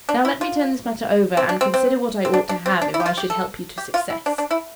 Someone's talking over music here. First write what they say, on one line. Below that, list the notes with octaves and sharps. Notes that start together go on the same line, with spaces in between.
'Now, let me turn this matter over, and consider what I ought to have if I should help you to success.'
D4
E4
F4
C4
D4
C4
C4
C4
D4
D4
C4
D4
E4
G4
F4
G4
A4
G4
F4
E4
D4
D4
E4